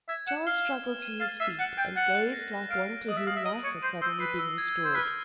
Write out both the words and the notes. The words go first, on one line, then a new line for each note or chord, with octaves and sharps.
Charles struggled to his feet and gazed like one to whom life has suddenly been restored.
E5 G#6
F#5 E7
F5 G7
E7
F6
D#7
F5 A6
E5 C7
F#5 F#6
G5 A6
F#5 A6
F#6
A#6
A#6
F5 D7
A#6
D#5 D#6
E5
F5 D#6
E5
D#5 D#7
C#5 D#7
C5 D#7
C5 E6
B4 C7
E6
G#6
G#6
C5
B4 F6